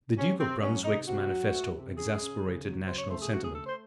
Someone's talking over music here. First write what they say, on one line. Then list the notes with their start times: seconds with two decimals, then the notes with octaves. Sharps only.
The Duke of Brunswick's manifesto exasperated national sentiment.
0.17 C3 C#4
0.40 C3 C4
0.62 F#3 C#4
0.84 C3 D#4
1.07 C3 F#4
1.31 F#3
1.53 A3
1.75 C3
1.97 C#3 G#4
2.20 C#3
2.42 C#3
2.65 F#3
2.87 C#3 C5
2.98 C#5
3.10 A3 C5
3.21 G#4
3.32 C#3 F#4
3.43 G#4
3.54 A3 A4
3.67 C5